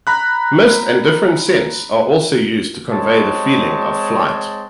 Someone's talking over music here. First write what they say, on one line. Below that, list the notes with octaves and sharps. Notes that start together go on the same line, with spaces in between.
Mist and different scents are also used to convey the feeling of flight.
A#5 B5 F#6
G#3 C4 C#5 A5